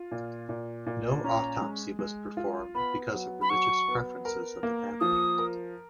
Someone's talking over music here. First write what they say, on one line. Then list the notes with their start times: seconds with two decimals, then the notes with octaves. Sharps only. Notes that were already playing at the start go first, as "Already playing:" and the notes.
No autopsy was performed because of religious preferences of the family.
Already playing: F4
0.11 A#2
0.49 A#2
0.86 A#2
1.24 C#4 A#5
1.62 G#3
1.99 G#3
2.37 F4
2.75 B3 B5
3.12 F#3
3.41 B5
3.50 F#3 C#6
3.88 B3
4.25 A#4
4.63 A#3
5.00 F3 D#6
5.38 A#4